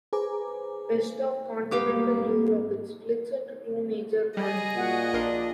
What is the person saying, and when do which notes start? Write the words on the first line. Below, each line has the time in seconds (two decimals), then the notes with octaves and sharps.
West of Continental Europe, it splits into two major branches.
0.13 G#4 B4 C5 G#5 A#5 D6
1.71 G#1 G3 A#3 B3 G4 F5
4.37 G3 G#4 D#5
4.75 A#2 F#4 F#5
5.13 A#1 D4 A#4 C6